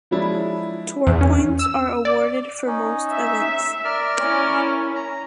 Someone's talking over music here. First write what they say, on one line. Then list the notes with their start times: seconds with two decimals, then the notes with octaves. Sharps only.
Tour points are awarded for most events.
0.11 F3 F#3 G#3 D4 E4
1.07 E2
1.21 C#4
1.59 E6
2.05 D5
2.67 C#4 D#4
3.10 E5
3.85 A#4 D5 F6
4.20 C#4 E4
4.95 A#5